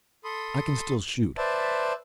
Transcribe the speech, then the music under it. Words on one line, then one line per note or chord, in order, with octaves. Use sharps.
I can still shoot.
A4 B5 C6 D#6
B4 C5 D5 E5 A5